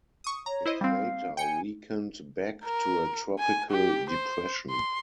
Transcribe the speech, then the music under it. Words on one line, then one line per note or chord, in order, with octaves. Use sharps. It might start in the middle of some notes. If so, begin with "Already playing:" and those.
It later weakened back to a tropical depression.
C#6 D#6
C#5 A#5
E4 C5 D#5
G3 C4 F5
G5 G#5 C#7
A#4
G#5
G4
C5
C6